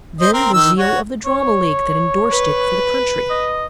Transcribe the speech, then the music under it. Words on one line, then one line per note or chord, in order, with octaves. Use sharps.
Then the zeal of the Drama League that indorsed it for the country.
C5 D#5
C4 A#4
D#3 E6
F#4 C#5
C#5
B4
D#5